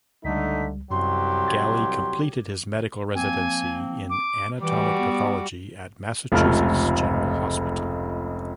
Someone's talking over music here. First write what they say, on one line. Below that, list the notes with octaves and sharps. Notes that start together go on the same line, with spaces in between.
Galli completed his medical residency in anatomic pathology at Massachusetts General Hospital.
C#2 D3 G3 A3 D#4 B6
C2 F#2 F#3 G4 C6
D6 G#6 A6
F3 A#3 C4 G#5
D6
E3 G3 F#4 D6
B3
F1 C#2 A3 F4 F6